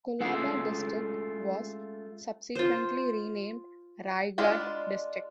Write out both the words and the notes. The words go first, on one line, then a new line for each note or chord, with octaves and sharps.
Kolaba district was subsequently renamed Raigad district.
G#3 A3 C#4 F4 G#4 A4
F4 C5
G#3 D4 F4 B5